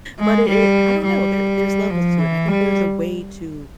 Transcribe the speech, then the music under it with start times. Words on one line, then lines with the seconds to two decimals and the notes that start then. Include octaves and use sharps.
but it it I don't know, there there's levels to it, I think there's a way to
0.19 G#3
0.48 G3
1.05 G3
1.90 F3
2.20 E3
2.48 G3